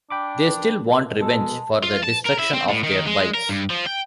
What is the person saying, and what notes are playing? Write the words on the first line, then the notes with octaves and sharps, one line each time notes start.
They still want revenge for the destruction of their bikes.
D4 G5 B5 D6
B2 G#3 A4 A5
F4
A5
A#4
E4
C4
A2
D#3
G#3
A#4
G2
F3
G5